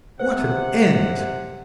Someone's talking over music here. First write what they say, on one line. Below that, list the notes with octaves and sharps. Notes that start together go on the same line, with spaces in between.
What an end!
C3 B4 C5 F#5